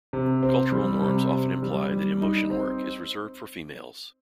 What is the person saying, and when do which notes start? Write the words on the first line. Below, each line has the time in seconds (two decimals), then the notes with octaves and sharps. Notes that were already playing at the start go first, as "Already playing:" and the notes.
Cultural norms often imply that emotion work is reserved for females.
0.13 C3
0.43 C4
0.72 G3
1.02 C3
1.32 C4
1.62 G3
1.91 G3
2.21 D#4
2.51 C4